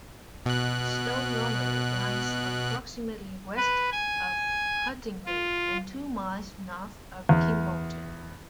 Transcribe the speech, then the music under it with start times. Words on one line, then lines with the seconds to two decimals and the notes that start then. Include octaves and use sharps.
Stow Longa lies approximately west of Huntingdon and two miles north of Kimbolton.
0.46 B2 F#6
3.57 B4
3.92 G#5
5.26 F4
7.29 E2